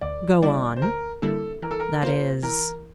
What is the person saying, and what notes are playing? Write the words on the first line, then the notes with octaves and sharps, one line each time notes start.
"Go on--that is?"
D2 D5
D3 G3 A#3 E4 D5
C5
D2 A#4
D3 G3 A#3 E4 A4
E3 A#4
A4
A#4
A#3 F4 A#4 C5
E3 A#4